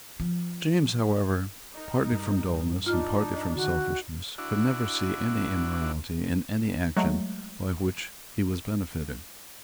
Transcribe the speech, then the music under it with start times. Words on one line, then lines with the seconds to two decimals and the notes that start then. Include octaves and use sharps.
James, however, partly from dulness and partly from selfishness, could never see any immorality in any action by which he was benefited.
0.20 F3
1.74 D#4 A#4
2.12 G2
2.86 D4 D#4 F4 F6
3.56 D3 D#3 F#4
4.38 D4 E4 F#4
6.97 F#3 G#3 A3